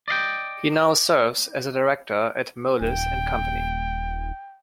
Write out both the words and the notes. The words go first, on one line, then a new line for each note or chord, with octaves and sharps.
He now serves as a director at Moelis and Company.
D5 D#5 F5 G5
D#1 G5